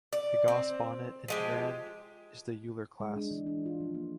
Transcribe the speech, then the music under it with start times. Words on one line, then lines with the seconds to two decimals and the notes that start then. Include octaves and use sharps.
The Gauss-Bonnet integrand is the Euler class.
0.13 D5
0.48 C4
1.28 F3 G#3 G4
3.00 G#3
3.16 D4
3.31 E3
3.46 D4
3.66 F4
3.80 F3
3.95 A#3